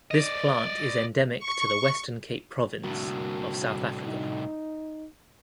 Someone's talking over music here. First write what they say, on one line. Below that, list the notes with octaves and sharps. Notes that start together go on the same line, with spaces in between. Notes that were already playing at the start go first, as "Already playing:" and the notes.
This plant is endemic to the Western Cape province of South Africa.
D5 D#5
C#6
C2 A2 D3 A#3 F#4 A#4
D#4